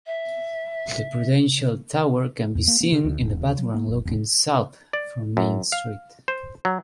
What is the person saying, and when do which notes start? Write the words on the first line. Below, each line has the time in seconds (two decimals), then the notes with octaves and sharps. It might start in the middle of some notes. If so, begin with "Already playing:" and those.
The Prudential Tower can be seen in the background looking south from Main Street.
0.06 E5
2.55 E2
2.68 A#3
2.81 A#3
2.92 C#3
3.05 D2
3.20 E1
3.41 D2
3.58 F#3
3.74 A#3
3.88 F#1
4.05 E1
4.93 D5
5.37 F#2
5.72 F5
6.28 C5
6.65 F#3